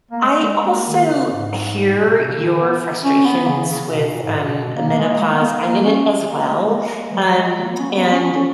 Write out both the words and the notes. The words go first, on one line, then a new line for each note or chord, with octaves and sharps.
I also hear your frustrations with, um, eh menopause. I'm in it as well, um, and
A#3
G#3
G#3
A#3
D#3
C#3
G#2
G#2
A#2
B2
B2
C#3
D#3
B3
C#4
B3
C#3
C#3
B2
A#2
G#2
B2
B2
A#3
A#3
G#3
A#3
B3
A#3
A#3
C#4
A#3
G#3
G#3
A#3
G#3
E3
F#3
G#3
A#3
B3
C#4
B3
A#3
B3
C#4
C#4
C#4